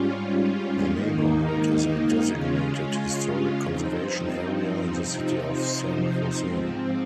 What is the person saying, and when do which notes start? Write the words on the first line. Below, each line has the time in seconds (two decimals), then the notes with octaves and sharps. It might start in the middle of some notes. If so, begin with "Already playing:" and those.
The neighborhood is a designated Historic Conservation Area in the City of San Jose.
Already playing: G#2 G3 C#4 F4
0.87 G#2 D#3 A#3 D#4
2.26 C#3 G#3 C#4 F4
3.64 G2 F3 C4 D#4
5.03 C3 F3 C4 D#4
6.40 G#2 F3 C4